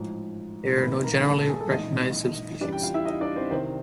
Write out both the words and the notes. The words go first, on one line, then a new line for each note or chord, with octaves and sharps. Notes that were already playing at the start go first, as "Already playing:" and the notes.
There are no generally recognised subspecies.
Already playing: A1 G#2 F3
A#1 G#2 D#3 B4 B5
A#4 A#5
A4 A5
A4 A5
G#4 G#5
A4 A5
A#1 G#2 E3 D#4 D#5
E2 C#3 E3 G3 D4 D5
G4 G5
F4 F5
E4 E5
D#4 D#5
D4 D5
C4 C5
C2 C3 D#3 C4 C5